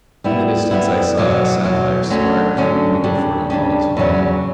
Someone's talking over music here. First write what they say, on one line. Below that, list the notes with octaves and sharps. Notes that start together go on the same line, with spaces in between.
In the distance I saw a sapphire spark; knew it for Norhala's home.
G3 B3 E4
G3 B3 E4
E2 B2 F#3
E2 B2 F#3
D2 D3 F#3 C#4
D2 D3 F#3 C#4
C#3 G3 D4
C#3 G3 D4
E2 C#3 F#3 C#4